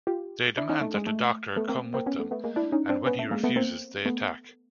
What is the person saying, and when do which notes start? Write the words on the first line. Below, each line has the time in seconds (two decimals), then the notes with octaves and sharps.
They demand that the Doctor come with them, and when he refuses they attack.
0.07 F4 G4
0.57 D4 E4
0.69 C#4 D#4
0.81 A3
0.94 G#3
1.07 A3
1.56 A3 B3
1.69 A#3 C4
1.94 A#3 C4
2.06 B3 C#4
2.19 A3 B3
2.31 A3 B3
2.44 G#3 A#3
2.56 D4 E4
2.72 C#4 D#4
2.89 C4 D4
3.06 B3 C#4
3.19 A3
3.31 G#3 A#3
3.43 A3 B3
3.56 A#3 C4
4.06 A3 B3